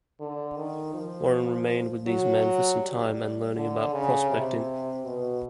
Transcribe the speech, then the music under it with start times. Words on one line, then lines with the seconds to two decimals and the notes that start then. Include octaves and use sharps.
Warren remained with these men for some time and learning about prospecting.
0.20 D3
0.57 D#3
0.94 F3
2.07 F#3
2.81 G3
3.56 D3
3.93 C#3
4.30 C3
5.05 B2